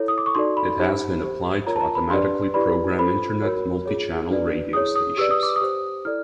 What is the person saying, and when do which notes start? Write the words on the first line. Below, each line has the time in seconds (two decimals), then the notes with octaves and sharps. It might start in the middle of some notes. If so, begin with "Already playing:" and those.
It has been applied to automatically program Internet multi-channel radio stations.
Already playing: E4 A4 C#5
0.08 D#6
0.18 D6
0.26 C#6
0.35 D#4 F#4 A4 D5 C6
0.57 B5
0.79 D#4 G4 C5
1.23 G4 C5
1.66 F4 A#4 C#5 A#5
1.76 A5
1.81 A#5
1.95 B5
2.10 D4 G4 B4 D5 C6
2.54 E4 G4 B4 D5 B5
2.98 F4 A4 C5 B5
3.42 F#4 A#4 C#5
3.85 F4 G#4 C#5
4.29 D4 F#4 B4 D5
4.73 E4 G#4 C#5 D#6
4.96 D#6
5.17 G4 B4 D5 E6
5.31 D#6
5.43 D6
5.56 D#6
5.61 G4 C5
6.05 E4 A4 D5 F6